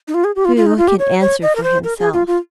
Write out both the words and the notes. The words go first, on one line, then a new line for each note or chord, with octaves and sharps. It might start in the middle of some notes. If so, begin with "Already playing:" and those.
Who can answer for himself?
D#4
F4
G#4
G4
F4
F4
D#4
F4
G4
C#5
C#5
D#5
A#4
C5
A#4
G#4
F4
F4